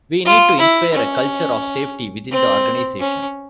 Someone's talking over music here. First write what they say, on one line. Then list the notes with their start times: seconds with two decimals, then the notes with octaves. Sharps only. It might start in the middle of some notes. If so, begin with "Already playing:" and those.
We need to inspire a culture of safety within the organisation.
0.25 F4
0.59 E4
0.94 C#4
2.31 C4
3.00 C#4